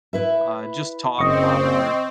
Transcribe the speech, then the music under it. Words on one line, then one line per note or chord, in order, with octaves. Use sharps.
uh, just talk about our
E4 B4 E5
F#1 C4 D#5 C#6